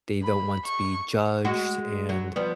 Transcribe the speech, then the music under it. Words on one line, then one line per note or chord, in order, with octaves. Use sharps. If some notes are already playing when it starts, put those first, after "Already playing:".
they don't want to be judged, and
B5
C#6
G#3 F#4
F#3
F3 G3 B3